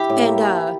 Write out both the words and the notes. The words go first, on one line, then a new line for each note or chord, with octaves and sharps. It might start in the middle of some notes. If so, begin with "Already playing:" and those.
And, uh,
Already playing: E4 G4
A2
A#3